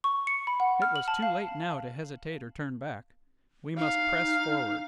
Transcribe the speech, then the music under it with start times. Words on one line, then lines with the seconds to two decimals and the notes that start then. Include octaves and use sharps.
It was too late now to hesitate or turn back; we must press forward.
0.04 C#6
0.27 C#7
0.47 B5
0.60 F#5
0.82 F6
0.96 F#7
1.08 A5
1.22 F5
3.78 D#4 F5